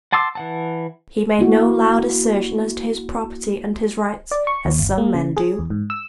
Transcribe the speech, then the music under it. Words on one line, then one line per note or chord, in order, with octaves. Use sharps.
He made no loud assertion as to his property and his rights, as some men do.
F#5 A5 C6 D6 E6
E3 F#5 A5
A#3 E4 F#4
D5
C#6
D#2
G1
A#3
C#3
G#4
E2
G#2
E6